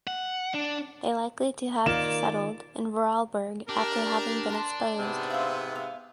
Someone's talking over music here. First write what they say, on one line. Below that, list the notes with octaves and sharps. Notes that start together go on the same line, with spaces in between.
They likely to have settled in Vorarlberg after having been exposed.
F#5
D4
D#3 A#3 F4 D5 E7
D4 G4 A#4
A5 A#5 C6
G#2 C3 B3
E5 F5 C6
E5 F5